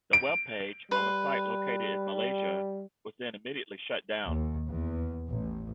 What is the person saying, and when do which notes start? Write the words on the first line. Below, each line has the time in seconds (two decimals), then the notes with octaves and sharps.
The web page, on a site located in Malaysia, was then immediately shut down.
0.13 D7
0.91 G3 B4 C6
4.26 D#2
4.69 E2
5.30 A1